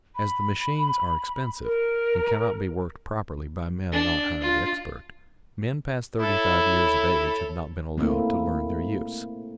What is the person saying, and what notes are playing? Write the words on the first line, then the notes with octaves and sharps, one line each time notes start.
As the machines are expensive and cannot be worked properly by men not highly expert, men past thirty-five years of age have not been allowed to learn their use.
B5
A#4
D4
F4
E4 A4 C#5
A3 A#3 C4 E4